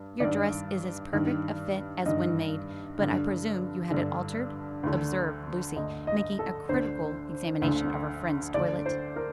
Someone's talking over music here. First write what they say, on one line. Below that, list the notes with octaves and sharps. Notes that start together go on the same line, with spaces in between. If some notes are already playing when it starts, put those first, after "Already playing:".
"Your dress is as perfect a fit as when made, but I presume you had it altered," observed Lucy, making a critical examination of her friend's toilet.
Already playing: G2
G2 D#3 D5
G2 D#3
G2 D#3 D#5
G2 D3
G2 D3
D2 D3
D2 D3 D#5
D#5
A4
D2 D3 C5
D2 D3
D2 D3 D5
C5
A#4